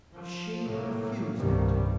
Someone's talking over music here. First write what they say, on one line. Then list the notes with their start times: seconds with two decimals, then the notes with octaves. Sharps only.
"She refused it."
0.16 F3
0.65 A2 C3 F#3 A#3
1.36 C2 G2 D#3